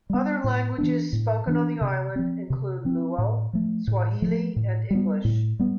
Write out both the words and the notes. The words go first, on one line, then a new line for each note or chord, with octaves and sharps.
Other languages spoken on the island include Luo, Swahili, and English.
G3 B3
A2
E3 B3 D4
A2
E3 B3 D4
C3
F3 C4
C3
F3 C4
A2
F3 A3
A2
F3 A3
A2
G3 B3
A2
G3 B3